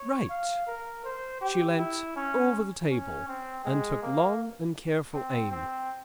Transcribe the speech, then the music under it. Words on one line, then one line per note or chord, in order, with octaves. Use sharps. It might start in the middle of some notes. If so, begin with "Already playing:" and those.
"Right." She leant over the table and took long and careful aim.
Already playing: C#5
F5
A#4
C5
G4
E4
C#4
C#4
C4
G#3
A#3
C4
C4